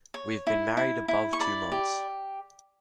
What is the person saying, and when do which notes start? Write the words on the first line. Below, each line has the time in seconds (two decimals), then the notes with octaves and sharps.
We have been married above two months.
0.14 C#5
0.47 E4
0.77 E4
1.08 E4
1.33 C#6
1.40 D5 B5
1.72 G4